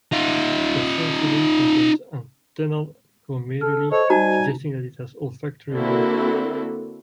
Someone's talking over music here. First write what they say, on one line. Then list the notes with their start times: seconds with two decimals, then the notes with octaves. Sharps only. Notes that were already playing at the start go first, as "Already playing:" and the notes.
The sensillum contains antennal glomeruli, suggesting that it has an olfactory role.
0.12 D#4 F4
3.61 A4 F6
3.91 A4 C5 C#5 D#5
4.10 G3 D#4 F#4 G#5 A#5
5.72 D3 A#3 C4 E4 F#4 A4